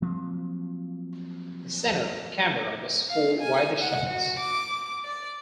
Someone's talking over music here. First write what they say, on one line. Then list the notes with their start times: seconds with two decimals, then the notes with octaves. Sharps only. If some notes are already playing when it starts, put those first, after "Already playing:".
The center camera was for wider shots.
0.02 F3 F#3 A#3 C4
3.09 F5
3.41 G#5
3.80 F#5
4.10 F#4
4.39 D6
5.05 D5